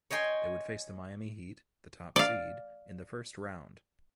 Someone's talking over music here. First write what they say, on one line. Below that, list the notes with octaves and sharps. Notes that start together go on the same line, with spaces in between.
They would face the Miami Heat, the top seed, in the first round.
C#5 D#5 G5 G#5 C6
D5 F5